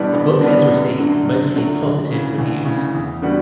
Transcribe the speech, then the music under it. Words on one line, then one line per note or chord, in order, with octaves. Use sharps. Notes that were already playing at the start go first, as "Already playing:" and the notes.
The book has received mostly positive reviews.
Already playing: A1 A2 G3 B3 D4
A1
A2 G3 B3 D4
F#2
D3 F#3 A3
F#2
D3 F#3 A3
D2
C#3 E3
D2
C#3 E3
E2
D3 G3 B3 F#4